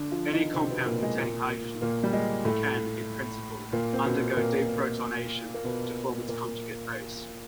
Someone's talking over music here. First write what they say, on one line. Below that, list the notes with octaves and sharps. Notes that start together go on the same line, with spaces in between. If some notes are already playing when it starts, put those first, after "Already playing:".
Any compound containing hydrogen can, in principle, undergo deprotonation to form its conjugate base.
Already playing: D3 D4
F3 F4
D#3 D#4
C3 C4
B2 B3
A#2 A#3
G#3
A#2 A#3
A#2 A#3
G3
G#3
A2 A3
A#2 A#3
C4
B2 B3
B3
A#2 A#3
A#3
B2 B3
A#2 A#3